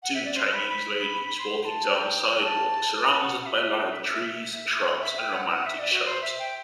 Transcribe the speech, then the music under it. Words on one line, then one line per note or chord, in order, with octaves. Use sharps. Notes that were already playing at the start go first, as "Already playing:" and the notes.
Two chinese ladies walking down sidewalk surrounded by live trees, shrubs, and romantic shops.
F#5
E5
D5
C5
B5
B5
C6
A5
G5
G5
A5
A5
F#5
F#5
E5
E5
G5
F#5
G5
F#5
E5
D5
F#4
C5
E5
G5